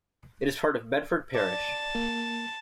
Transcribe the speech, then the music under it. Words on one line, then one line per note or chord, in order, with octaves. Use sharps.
It is part of Bedford Parish.
D5 A5
A#3